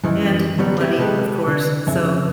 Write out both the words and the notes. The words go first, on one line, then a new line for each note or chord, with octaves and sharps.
and money, of course, so.
F#2 D#3 E3
D3 F#3 G3 B3
B3 C4 E4 G4
C3 G#3 G4 A4 B4
D3
F2 C#3 E5